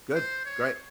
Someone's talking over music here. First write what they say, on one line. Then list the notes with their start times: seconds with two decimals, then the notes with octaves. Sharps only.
Good. Great.
0.14 C5
0.45 C#5